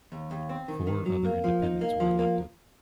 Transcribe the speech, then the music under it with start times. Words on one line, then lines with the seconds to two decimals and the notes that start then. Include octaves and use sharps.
Four other independents were elected.
0.12 D#2
0.31 D#2
0.49 C4
0.68 D#3
0.87 D#3
1.06 F#3
1.25 A#3
1.44 F3
1.62 D#4
1.81 A#3
2.00 F3
2.19 A#3